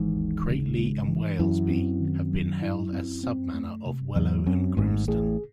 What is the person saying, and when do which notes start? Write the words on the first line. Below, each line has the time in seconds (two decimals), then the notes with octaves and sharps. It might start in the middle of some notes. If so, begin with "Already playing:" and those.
Cratley and Walesby have been held as Sub Manor of Wellow and Grimston.
Already playing: G#1 G#2 E3
0.16 D#2
0.47 C#3
0.77 G#3
1.08 E3
1.39 F#2 E4
1.70 C4
2.00 D#3
2.31 F#3
2.62 E4
2.93 C4
3.23 C4
3.54 A3
3.85 C3
4.15 E2 F#3
4.47 F#2 C4
4.77 G#1 G#2 A3
5.08 A1 A2 G#4